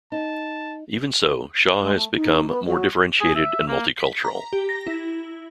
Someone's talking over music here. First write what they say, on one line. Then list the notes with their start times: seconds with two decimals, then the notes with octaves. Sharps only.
Even so, Shaw has become more differentiated and multicultural.
0.12 D#4 A5
1.81 G#3
1.94 A3
2.15 D#4
2.48 B3
2.66 F#3
3.21 G#4
3.35 E5
3.68 A#3
4.00 B6
4.24 A#5
4.53 G4
4.69 A#6
4.87 E4